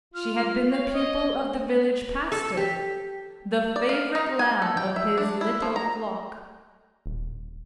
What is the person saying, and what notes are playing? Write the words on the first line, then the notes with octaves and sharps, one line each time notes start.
She had been the pupil of the village pastor, the favorite lamb of his little flock.
F4 F6
C#5 F5
D#5
A4
G4
D5
F5
D#4
G#5
A4
G5
E5
D4
E4
F3
A#5
D#1